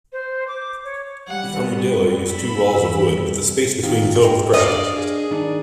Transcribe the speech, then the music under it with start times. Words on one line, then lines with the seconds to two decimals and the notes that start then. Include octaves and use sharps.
The Armadillo used two walls of wood, with the space between filled with gravel.
0.12 C5
0.47 D6
0.84 C#5
1.27 G3 F#5
1.62 B3
2.30 B5 E6
2.72 C3 E3 G3
3.83 C3 D#3 F4
4.24 D#5 G5
4.54 D4 D5 D#5 F5
4.95 G#4
5.31 D#3 D4